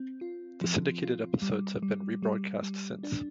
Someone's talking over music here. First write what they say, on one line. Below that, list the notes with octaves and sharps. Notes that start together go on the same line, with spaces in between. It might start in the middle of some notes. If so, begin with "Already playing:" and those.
The syndicated episodes have been rebroadcast since.
Already playing: C4
F4
F3
F4
G3
G3
G3
G3
D4